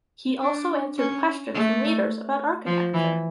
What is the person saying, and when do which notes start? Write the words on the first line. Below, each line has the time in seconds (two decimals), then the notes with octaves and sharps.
He also answered questions from readers about architecture.
0.42 D4
0.98 C#4
1.54 A3
2.66 F3
2.94 E3